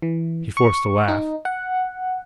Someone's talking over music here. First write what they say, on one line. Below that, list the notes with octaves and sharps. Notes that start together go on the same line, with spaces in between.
He forced a laugh.
E3
C#6
D#4
F#5